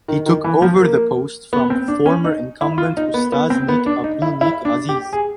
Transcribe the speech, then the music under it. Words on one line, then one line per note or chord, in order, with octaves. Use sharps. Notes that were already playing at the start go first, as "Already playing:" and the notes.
He took over the post from former incumbent Ustaz Nik Abduh Nik Aziz.
D#3
D#3
E3
F3
A#3
B3
C4
D4
C#4
D#4
E4
F4
D#4
B3
B3
C4
B3
D4
D#4
E4
E4
D4
G4
G#4